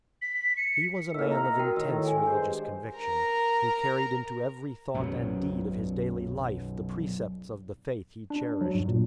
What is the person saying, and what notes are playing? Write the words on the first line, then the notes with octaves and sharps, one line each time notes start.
He was a man of intense religious conviction, who carried into every thought and deed of his daily life the precepts of the faith he cherished.
B6
C#7
A2 D#3 A#3 E6 F6
A#5
F#4 A#4 G5
A2 D#3 E6
A4 G#5
G2 G#3 C5
A#4 A#5
B1 F#2 B2 F#3
D4
F#3
G2
A#2